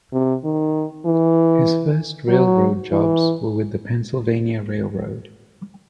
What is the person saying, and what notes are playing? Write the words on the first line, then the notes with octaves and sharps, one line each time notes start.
His first railroad jobs were with the Pennsylvania Railroad.
C3
D#3
E3
F#3
E3